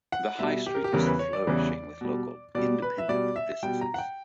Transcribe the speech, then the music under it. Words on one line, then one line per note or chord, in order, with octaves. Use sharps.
The high street is flourishing with local, independent businesses.
F#5
B2 G3 E5
G4
A#4
G4
E2 C#3 E3 G3 A#4
B4
C#5
D5
E2 C#3 E3 G3
B2 G3
B2 G3 D5
B4
E5
B2 G3 D5
E5
B2 G3 G5
A#5
F#5
G5